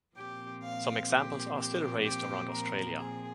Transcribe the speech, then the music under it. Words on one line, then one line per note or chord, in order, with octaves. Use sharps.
Some examples are still raced around Australia.
A#2 F3 C4 G4
F5
G4
G4
G4
A#4
G#4